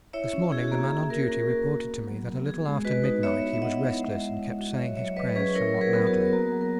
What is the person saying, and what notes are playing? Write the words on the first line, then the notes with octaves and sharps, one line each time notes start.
This morning the man on duty reported to me that a little after midnight he was restless and kept saying his prayers somewhat loudly.
E4 C#5 E5
C#4
E4 G#4
F#4
A#3 G#4
F#4 G#4
A#3 F#4 A#4
C#4 G#4
A#3 F#4
F#4
B3
F#3
B3
F#4 G#4
G#3
F#4 B4 D#5
D#4
B3 C#5 E5
E4
E5
E4 D#5 F#5
E4
G#3
G#3
G#3
F#4
D#5
F#3 C#5 E5
F#3 C#5 E5
F#3 B4 D#5
C#4 G#4 B4
E4 A#4 C#5
F#3
G#4 B4
B3
F#4 A#4
B3
A#3 F#4
F#3
A#4